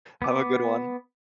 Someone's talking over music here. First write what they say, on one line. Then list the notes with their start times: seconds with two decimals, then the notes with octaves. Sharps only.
Have a good one.
0.22 B3 D6